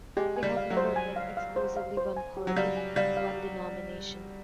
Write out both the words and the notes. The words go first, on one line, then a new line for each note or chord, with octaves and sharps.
They have never been exclusively one party, one denomination.
G#3 G4
G#5
G3
F5
F#3
C5
G#5
F5
F5
C5
F5
C5
G#5
G4
F#3
G3 F5
G#5
G3 F5
F5